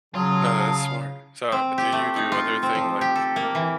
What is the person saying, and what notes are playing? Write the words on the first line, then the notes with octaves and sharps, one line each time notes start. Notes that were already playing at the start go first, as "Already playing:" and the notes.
No, that's smart. So do you do other thing, like,
C#3 F#3 F4 G#4 A5 D#6
C4
G4
A3
D#4
F4
C4
F3
G4
A4
A#3
E3